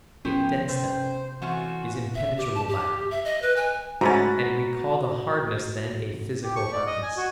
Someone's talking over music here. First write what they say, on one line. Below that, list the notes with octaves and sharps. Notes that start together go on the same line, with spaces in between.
It dents them; is impenetrable by them; and we call the hardness then a physical hardness.
F3 B3 C#4 G4 C5 D#6
C3 A3 C5 G5
E3 A3 C4 C#4 F4 F#4 E7
E5
G4
A5
G4
E5
D#5
B4
G#5
G#2 A3 C#4 F#4 A#5 B5 A6
G4
C#6
D5
D#5
G#5
F#4